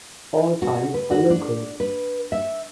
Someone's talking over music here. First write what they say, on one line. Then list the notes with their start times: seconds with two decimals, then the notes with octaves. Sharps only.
All times are local.
0.62 F#4
0.94 B4
1.11 F#4
1.30 D4
1.80 B4
2.32 E5